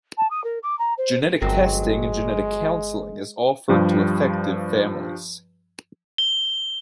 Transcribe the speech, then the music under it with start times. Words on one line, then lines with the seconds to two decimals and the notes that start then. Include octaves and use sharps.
Genetic testing and genetic counseling is offered to affected families.
0.17 A5
0.30 D#6
0.44 A#4
0.63 D6
0.79 A#5
0.98 C5
1.41 G1 F#3 G#3 A#3 C4
3.69 G2 F3 G3
6.18 G7